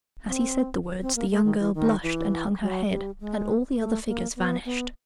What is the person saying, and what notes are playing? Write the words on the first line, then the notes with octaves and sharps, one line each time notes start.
As he said the words the young girl blushed and hung her head, and all the other figures vanished.
C4
C4
A#3
A3
D#3
E3
D#3
E3
F#3
G3
G#3
A3
A#3
B3
B3